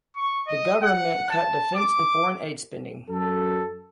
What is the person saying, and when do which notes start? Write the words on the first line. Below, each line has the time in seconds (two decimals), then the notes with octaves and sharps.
The government cut defence and foreign aid spending.
0.16 C#6
0.47 D#5
0.83 F#5
1.30 A5
1.75 D6
3.09 F#2 A4